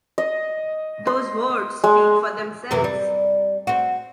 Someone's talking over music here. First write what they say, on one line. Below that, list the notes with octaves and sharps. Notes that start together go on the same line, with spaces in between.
Those words speak for themselves.
D#5
C6
G#3
F#2 C3 E3
G3
C4 F#4